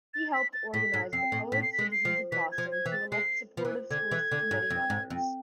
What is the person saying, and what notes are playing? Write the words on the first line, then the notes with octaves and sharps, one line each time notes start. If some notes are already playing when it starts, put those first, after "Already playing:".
He helped organize the colored citizens of Boston to elect supportive School Committee members.
A6
B6
A6
A2 B6
G#2
F2 C7
A2
A2 B6
C7
B6
G#3
C7
F3
E3 B6
G#6
F3
G#6
E3
A6
G#3 C7
F3
E3
D3 G#6
E3
D3
G#2
F2
G#2
F2